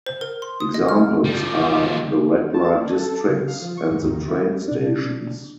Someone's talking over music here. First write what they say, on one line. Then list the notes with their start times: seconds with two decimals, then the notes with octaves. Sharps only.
Examples are the red-light districts and the train stations.
0.06 C5
0.21 A#4
0.42 C6
0.60 D#6
0.74 D#5
0.89 F6
1.25 F3 G3
2.54 A5
2.73 D4
2.90 A4
3.28 C#3
3.48 F5
3.62 F3
3.77 C#6
3.90 G#2
4.03 D#2
4.28 E4
4.68 B2 D4